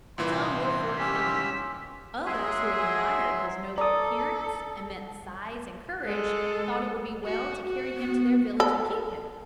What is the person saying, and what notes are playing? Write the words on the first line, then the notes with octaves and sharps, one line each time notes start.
Some were for killing him; others, who admired his noble appearance, immense size, and courage, thought it would be well to carry him to their village and keep him.
C2 A#2 E3 C6
C#4 G4 E6 B6
F#3 G#3 G#4 E5 C6
A4 D5 A#5 D#6
G#3 A4
F#4
F#4
B3
A4